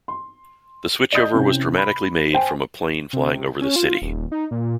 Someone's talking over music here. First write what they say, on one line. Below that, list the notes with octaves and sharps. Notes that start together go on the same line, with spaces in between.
The switchover was dramatically made from a plane flying over the city.
C6
D5 D#5 D#6 G6
C3 C4 C#4 E4
B5
C5 G5 G#5
C3
C#4
F4
D#1
D#4
A#2